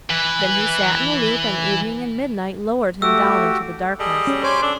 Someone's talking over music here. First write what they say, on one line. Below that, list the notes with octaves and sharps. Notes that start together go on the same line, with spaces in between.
Then he sat in the loop, and Evening and Midnight lowered him down into the darkness.
E3 B4
A3 F#4 G4 E6
G3 G#4 A4 D#5
C#4
C5 C#5 G#5 D6
D4 A4